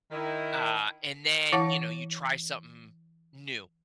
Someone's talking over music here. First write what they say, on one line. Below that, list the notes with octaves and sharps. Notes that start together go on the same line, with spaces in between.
Ah, and then, you know, you try something new.
D#3 E4
E3 E4 C#5 F5 F#5 A5